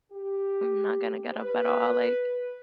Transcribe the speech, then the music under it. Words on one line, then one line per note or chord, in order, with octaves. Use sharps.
I'm not gonna get up at all, like,
G4
B4